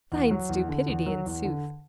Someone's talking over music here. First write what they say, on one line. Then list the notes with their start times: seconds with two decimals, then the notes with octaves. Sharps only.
Fine stupidity, in sooth!
0.12 E2
0.31 F#3
0.49 E2
0.69 D3
0.88 E2
1.06 F#3
1.26 E2
1.44 D3